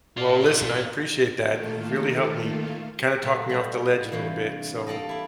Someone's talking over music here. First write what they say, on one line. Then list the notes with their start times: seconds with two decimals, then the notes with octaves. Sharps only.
Well, listen, I appreciate that. You really helped me kind of talk me off the ledge a little bit, so,
0.17 F4 D5
1.41 D#3 A3 A#3 F4 A4
3.22 A#2 F#3 A3 F4
3.49 G3
4.12 G2 C3 E3 A#3
4.87 A#3 A4 D5 D#5
5.09 E4 D5